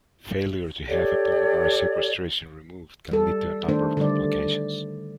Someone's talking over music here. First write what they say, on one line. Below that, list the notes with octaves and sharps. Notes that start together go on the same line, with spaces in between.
Failure to have a pulmonary sequestration removed can lead to a number of complications.
G4 A4 C#5 D5
G3 A4
D#3 A3 D4 C5
D3 G3 D5